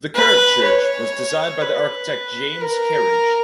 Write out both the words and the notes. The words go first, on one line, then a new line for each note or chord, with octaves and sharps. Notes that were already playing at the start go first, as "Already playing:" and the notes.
The current church was designed by the architect James Kerridge.
B4
C#5
B4
A#4